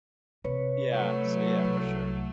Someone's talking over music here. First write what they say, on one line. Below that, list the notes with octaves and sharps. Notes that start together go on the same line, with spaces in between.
Yeah, so, yeah, for sure.
C3 B4 C#5
F#3 A3
C2